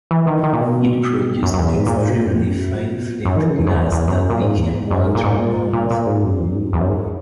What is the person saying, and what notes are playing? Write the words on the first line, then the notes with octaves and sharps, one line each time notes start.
It produced extremely fine flint glass that became world-renowned.
E3
D#3
D#3
A#2
B2
F#2
F#2
E2
G#2
A#2
G#2
B2
A#2
F#2
E2
F#2
A#2
B2
A#2
F#2
D#3
E3
C#3
E2
F#2
E2
E2
F#2
A#2
G#2
E2
F#2
G#2
A#2
G#2
A#2
A#2
A#2
G#2
F#2
E2
F#2
G#2
F#2
E2
F#2
G#2